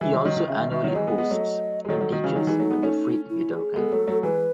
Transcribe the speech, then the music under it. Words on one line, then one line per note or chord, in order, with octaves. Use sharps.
He also annually hosts and teaches at the Freak Guitar Camp.
E3 G#3 E5
D#3 F#3
D#3 F#3 D#5
D#3
C#3 E5
D#3
D#3 E5
D#3 F#3 C#5
E3 G#3 D#5
G#3 B3
G#3 B3
F#3 A3
G#3
D#3 F#3 A4
D#3 F#3
D#3 F#4
C#3 E3
D#3 F#3 D#4
E3 G#3
F#3 A3
G#3 B3
A3 C#4
E4
G#4
G#3 B3 A4
F#3 A3
F#3 A3
E3 G#3 B4